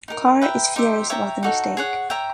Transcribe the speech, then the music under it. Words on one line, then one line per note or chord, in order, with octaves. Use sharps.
Carr is furious about the mistake.
D#4 G4 A#4
B4 E5 G5 A#5
D#4 G4 C5 E5
C#5 E5 G5 A#5
D#4 F#4 A4 C#5
G#4 C#5 F#5
C#5 E5 G5 A#5